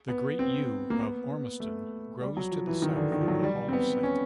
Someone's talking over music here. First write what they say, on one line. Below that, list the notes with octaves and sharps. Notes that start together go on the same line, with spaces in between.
The Great Yew of Ormiston grows to the south of the hall site.
B3
C4
A#3
B3
A3
G3
F#3
F3
E3
D#3
D3
D#3
F3
F#3
G3
C4
B3
C#4